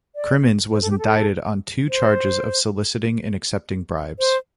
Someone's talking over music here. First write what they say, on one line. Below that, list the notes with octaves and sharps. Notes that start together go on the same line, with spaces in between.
Crimmins was indicted on two charges of soliciting and accepting bribes.
D5
C5
A4
G4
A4
C5
C5